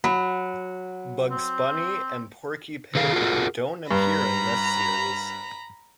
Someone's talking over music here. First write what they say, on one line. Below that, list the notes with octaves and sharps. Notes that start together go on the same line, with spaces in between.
Bugs Bunny and Porky Pig don't appear in this series.
F#3 B5
C4
D3 D#3 G#4 F5
F4 F#4 G#4 A#4
G2 A#5 B5